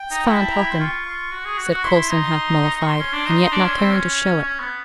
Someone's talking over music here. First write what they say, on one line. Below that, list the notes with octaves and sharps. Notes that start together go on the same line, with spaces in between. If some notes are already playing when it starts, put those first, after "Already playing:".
'It's fine talking,' said Coulson, half mollified, and yet not caring to show it.
Already playing: G5
D#4
E4
A5
A#5
B5
C6
F4 C#6
F4
F#4
G#4
F#4
F#4 C#6
E4 C6
D#4
C#6
C6
C#4
D4
D#4
D#4
D4
C#4
C4
C#4
C#4
B3